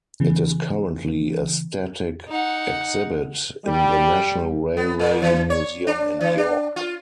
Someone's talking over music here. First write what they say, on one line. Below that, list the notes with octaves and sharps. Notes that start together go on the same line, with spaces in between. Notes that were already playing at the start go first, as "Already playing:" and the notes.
It is currently a static exhibit in the National Railway Museum in York.
C#3 E3 B3
D#4 F#5
G3
B3
A#2
E3
C#5
D4
E3
D4
F4